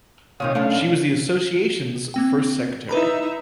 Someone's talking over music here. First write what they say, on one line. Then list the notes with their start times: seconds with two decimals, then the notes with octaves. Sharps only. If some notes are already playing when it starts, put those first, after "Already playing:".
She was the Associations's first Secretary.
0.40 C2 A#2 D#3 C#5 F5 D#6
0.55 B1 A3 C#4 D4 F5
2.14 A#3 C4 G5
2.89 D#4 E4 B4 E5 A#5 B5